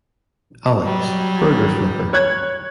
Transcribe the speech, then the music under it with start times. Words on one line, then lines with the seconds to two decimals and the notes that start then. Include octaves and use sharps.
Alex, burger flipper.
0.81 F#3 G3
2.13 C#5 F#6 G#6